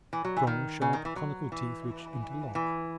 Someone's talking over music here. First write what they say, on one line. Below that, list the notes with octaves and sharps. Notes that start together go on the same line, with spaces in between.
Strong sharp conical teeth which interlock.
E3
F#3
E3
D#3
C#3
D#3
E3
F#3
E3
E3